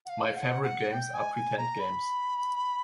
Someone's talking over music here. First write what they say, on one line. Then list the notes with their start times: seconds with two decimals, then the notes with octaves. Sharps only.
My favorite games are pretend games.
0.06 F#5
0.10 F5
0.35 F#5
0.64 F#5
0.93 G5
1.14 G#5
1.35 G#5
1.58 A#5
1.80 B5